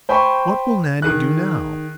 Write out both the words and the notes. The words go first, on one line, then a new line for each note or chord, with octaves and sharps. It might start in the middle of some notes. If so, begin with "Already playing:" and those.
What will Nannie do now?
C5 G5 G#5 B5 C#6
D#3 G#4 F#6